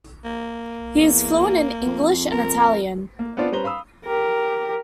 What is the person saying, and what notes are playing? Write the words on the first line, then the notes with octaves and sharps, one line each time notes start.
He is fluent in English and Italian.
A#3
E2
F2
A#4
A#3
B3 C4 D4 F4 D5
G3 C#4 B4 C5 A#5 G7
F5 B5 D#6 E6
G4 A#4